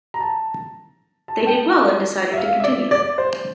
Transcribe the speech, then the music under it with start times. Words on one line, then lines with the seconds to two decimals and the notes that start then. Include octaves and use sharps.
They did well and decided to continue.
0.14 A#5
0.20 A5
1.28 A5
1.41 A5
1.47 G5
2.33 E5
2.37 F5
2.60 E5
2.64 D5
2.91 D5
3.18 C5